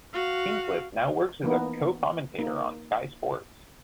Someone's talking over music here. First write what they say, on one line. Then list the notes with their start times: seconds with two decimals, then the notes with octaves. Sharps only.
Hinchcliffe now works as a co-commentator on Sky Sports.
0.14 F#4 F5
1.42 E3 A#3 B3 D#4
2.38 A#3 D#4